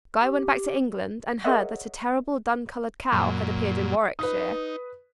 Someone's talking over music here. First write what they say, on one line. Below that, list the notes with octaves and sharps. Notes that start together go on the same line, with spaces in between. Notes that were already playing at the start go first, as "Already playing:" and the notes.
Guy went back to England and heard that a terrible dun-colored cow had appeared in Warwickshire.
G4
G#4 A#4 C#5 D#5 E5 F#5
F#2 A#2
D#4 B4 D#6